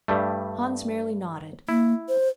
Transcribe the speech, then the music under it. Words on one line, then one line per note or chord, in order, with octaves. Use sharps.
Hans merely nodded.
G2 G3 A3
A#3 E4
C5